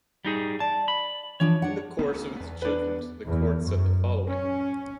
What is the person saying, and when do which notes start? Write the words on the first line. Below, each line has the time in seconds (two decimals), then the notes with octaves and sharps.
In the course of its judgment, the Court said the following.
0.25 G3 D#4 G#4
0.60 D5 A5
0.88 B5
1.40 E3 F3 D4 C#5
1.62 D4 F#5
1.99 D2 B3
2.36 E2 B3
2.62 D4 B4
3.25 E2
3.63 F#2
4.27 C#4